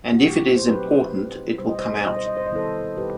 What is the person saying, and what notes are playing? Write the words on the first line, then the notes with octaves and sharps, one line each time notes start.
And if it is important it will come out.
F#4
B2 F#3 A3 E4 G4
C5
F#3 C4 D#4 G4 B4
F#3 C4 D#4
B2 G3 B3 D#4 C5
D#5
C5
D#5
C5
B2 G3 D#4 D#5
C5
D#5
C5
D#5
C3 D#3 G3 B3 E4 A4 C5
B2 G3 D#4 G4 B4